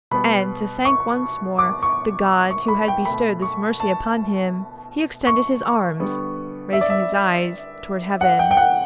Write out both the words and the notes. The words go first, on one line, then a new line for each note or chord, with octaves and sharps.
And to thank once more the God who had bestowed this mercy upon him, he extended his arms, raising his eyes toward Heaven.
B2 G3 B3 B5
C#6
D6
C#6
C#6
B5
G5
B2 A3 B5
C#6
A5
C#6
D3 G3 B3
E5
D5
E5
F#5
G5
G5
F#5